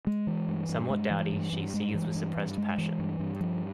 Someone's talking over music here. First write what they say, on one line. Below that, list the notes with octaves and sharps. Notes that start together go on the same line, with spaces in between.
Somewhat dowdy, she seethes with suppressed passion.
G#3
E3
G2
G2
G#3
E3
G2
G2
G#3
E3
G2
G2
G#3
E3
G2
G2
F3